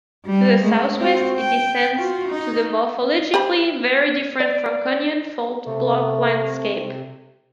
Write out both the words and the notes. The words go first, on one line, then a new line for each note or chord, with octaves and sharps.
To the southwest it descends to the morphologically very different Franconian fault-block landscape.
G3
G#3 A3
C4 F#4
G5
F4 F#4
D#4
G4 C5 B5
D5
C3 A3